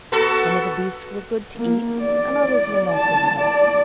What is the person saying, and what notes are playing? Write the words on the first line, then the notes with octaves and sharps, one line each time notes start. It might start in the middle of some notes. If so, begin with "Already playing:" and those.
Some of the beasts were good to eat and others were not good at all.
B3 F#4 A4
A#3
D5
A5
D5